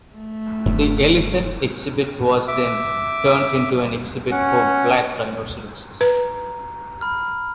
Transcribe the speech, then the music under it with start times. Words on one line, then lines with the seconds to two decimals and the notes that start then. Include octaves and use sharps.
The elephant exhibit was then turned into an exhibit for black rhinoceroses.
0.13 A3
0.66 F1 G2 D3 B3
2.48 E5 D6
4.32 C#4 F#5
6.01 B4 A#5
7.01 B5 F6